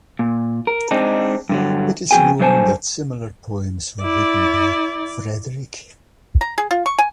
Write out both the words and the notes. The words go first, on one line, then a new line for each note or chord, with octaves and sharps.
It is known that similar poems were written by Frederick.
A#2
A#4
G#3 C4 D4 D#4
G2 D3 F#3
F2 B2 G#4 G5 G#5
G2 D3 F#3 C5 G#5 A5
E4 D5
A#5
G#4
F4
C#6
G#5